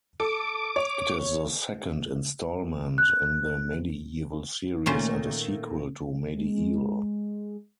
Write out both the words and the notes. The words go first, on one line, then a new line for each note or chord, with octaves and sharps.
It is the second instalment in the "MediEvil" series and a sequel to "MediEvil".
A4 D6
C#5
F#6
A#2 D#3 A3 A#3 C#4 C5
G#3